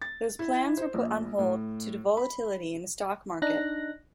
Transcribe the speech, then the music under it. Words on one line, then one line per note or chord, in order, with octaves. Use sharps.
Those plans were put on hold due to volatility in the stock market.
A6
E4
C5
A#1
A2
B5
D4 D#4 F#6 A#6